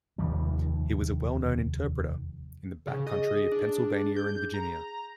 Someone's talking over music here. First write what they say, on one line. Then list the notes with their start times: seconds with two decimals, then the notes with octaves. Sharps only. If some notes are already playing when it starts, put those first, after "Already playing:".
He was a well-known interpreter in the backcountry of Pennsylvania and Virginia.
0.18 F1 D#2 F3 G3
2.87 C#3
3.07 G#4 D#5
3.52 D4
4.16 G6
4.54 A#5